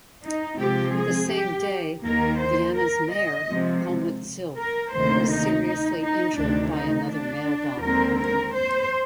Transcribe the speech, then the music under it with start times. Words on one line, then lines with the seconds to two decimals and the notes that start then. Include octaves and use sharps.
The same day Vienna's mayor Helmut Zilk was seriously injured by another mailbomb.
0.23 D#4
0.58 C3 F3 G#3 C4 G4
0.94 G#4
1.31 G4
2.03 D#2 D#3 A#3 A#4
2.39 C5
2.76 A#4
3.12 D#5
3.48 C3 F3 G#3
4.57 A#4
4.93 D2 C3 D#3 A#3 C5
5.29 D#4
5.66 D#4
6.02 D#4
6.37 D2 C3 D#3 D4
6.74 D#4
7.10 D4
7.82 D#2 D3 G#3 C4 A#4
8.18 A#4
8.54 C5